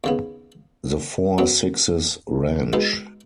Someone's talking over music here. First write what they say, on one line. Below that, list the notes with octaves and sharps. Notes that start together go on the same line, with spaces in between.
The Four Sixes Ranch.
D#2 C#3 B3
F#2 F#3 B3
B2 G#3 B3 D#4